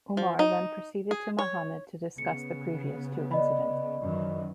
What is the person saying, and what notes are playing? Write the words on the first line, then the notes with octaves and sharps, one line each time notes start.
Umar then preceded to Muhammad to discuss the previous two incidents.
F3
D#4
G#4
C#5
C#3 B3 C#7
D5 D#5 B5
F#2 D#3 E3